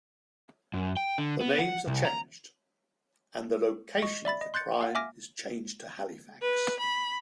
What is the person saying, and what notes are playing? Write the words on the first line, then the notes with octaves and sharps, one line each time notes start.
The names are changed and the location of the crime is changed to Halifax.
F#2
G5
D3
B3
F#5
C2
A#5
D#5 C#6
D5 E5 B5 A6
D#5
C6 F#6 G6 A6 C#7
F5 F#5
E5 G#5 D6 F6 A#6
B4
B5